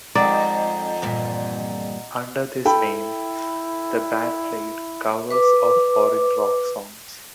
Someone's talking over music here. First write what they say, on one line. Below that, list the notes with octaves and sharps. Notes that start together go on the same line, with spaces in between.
Under this name, the band played covers of foreign rock songs.
F2 D#3 G#3 D5 D#5 F#5 A#5
E2 G2 A#2
E4 A4 G5 B5
B4 D6